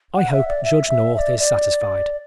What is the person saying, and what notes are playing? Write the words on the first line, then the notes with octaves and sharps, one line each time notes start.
I hope Judge North is satisfied.
F#5
E5
D5
E5
E5
E5
D5
D5